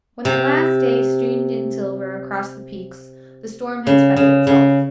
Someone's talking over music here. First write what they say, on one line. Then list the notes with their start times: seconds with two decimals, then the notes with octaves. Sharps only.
When at last day streamed in silver across the peaks, the storm had spent itself.
0.25 C3
3.87 C#3
4.16 C#3
4.47 C#3